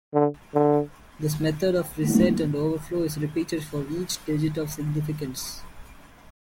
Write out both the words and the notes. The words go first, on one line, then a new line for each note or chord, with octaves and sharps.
This method of reset and overflow is repeated for each digit of significance.
D3
D3